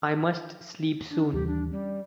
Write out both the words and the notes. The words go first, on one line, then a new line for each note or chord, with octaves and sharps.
I must sleep soon.
D4
D#2 E3 G3 G4
D4
G3 C#4